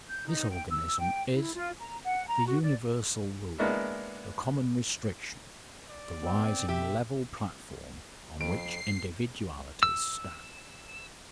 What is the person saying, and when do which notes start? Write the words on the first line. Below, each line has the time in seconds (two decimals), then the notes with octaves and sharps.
This organism is the universal rule, the common restriction, the rising level platform on which individualities stand.
0.09 G6
0.27 D#4
0.50 G5
0.69 E6
0.99 G5
1.34 E4
1.54 F4
1.78 A#5
2.04 F#5
2.28 A#5
2.46 F#4
2.62 D5
3.58 G#3 A#3 B3 D4 E4
5.89 D5
6.23 B3 C4
6.68 B2 G4 E5
8.41 F2 C7 D7
9.83 E6